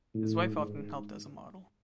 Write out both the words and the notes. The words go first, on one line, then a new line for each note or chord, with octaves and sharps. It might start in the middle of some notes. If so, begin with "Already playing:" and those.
His wife often helped as a model.
A2
G#2